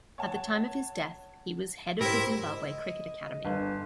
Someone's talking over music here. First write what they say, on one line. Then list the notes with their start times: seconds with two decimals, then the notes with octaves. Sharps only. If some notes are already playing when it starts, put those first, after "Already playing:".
At the time of his death, he was head of the Zimbabwe Cricket Academy.
0.18 C#5 F#5 A5
2.01 G#2 E4 G4 A#4 C5
2.56 D#5
3.45 G1